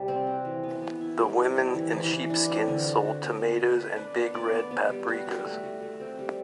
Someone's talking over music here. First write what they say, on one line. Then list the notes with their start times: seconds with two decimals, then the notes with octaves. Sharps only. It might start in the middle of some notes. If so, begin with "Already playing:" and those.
The women in sheepskins sold tomatoes and big red paprikas.
Already playing: C3 G3
0.08 C4
0.27 F#4
0.45 E3
0.64 B3
0.82 B3
1.01 E4
1.19 G3
1.38 G3
1.56 C4
1.75 E3
1.93 E3
2.12 E3
2.30 D4
2.49 C4
2.68 D3
2.86 F#4
3.04 F#4
3.23 B3
3.41 B3
3.60 B3
3.78 B4
3.97 D4
4.15 B3
4.34 D5
4.52 B3
4.71 B3
4.89 G3
5.08 F#4
5.26 G3
5.45 A3
5.63 F#4
5.82 A3
6.00 C4
6.19 G3